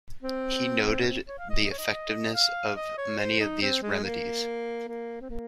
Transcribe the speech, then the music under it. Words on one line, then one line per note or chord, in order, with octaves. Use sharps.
He noted the effectiveness of many of these remedies.
C4
C#4
C4
C#5
F5
D#5
D#5
C#5
D#5
F5
D#5
C#5
C5
D#4
C4
G#3
A#3
A#3
C4
A#3